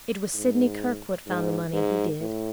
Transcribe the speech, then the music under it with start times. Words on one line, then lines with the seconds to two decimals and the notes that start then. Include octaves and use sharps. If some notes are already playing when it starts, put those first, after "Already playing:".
It was Sidney Kirkwood found the money--he did!
0.34 G#2
1.27 G#2
1.73 G#2
2.20 A2